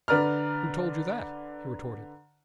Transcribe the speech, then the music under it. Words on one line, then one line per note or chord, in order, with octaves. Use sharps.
"Who told you that?" he retorted.
D3 B4 D5 A#5 F6